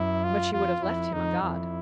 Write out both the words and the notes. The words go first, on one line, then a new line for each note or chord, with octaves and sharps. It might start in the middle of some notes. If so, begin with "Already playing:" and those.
But she would have left him a god.
Already playing: F#2 E4
F4
F2 F4
F2 E4
F2 D#4
F2 E4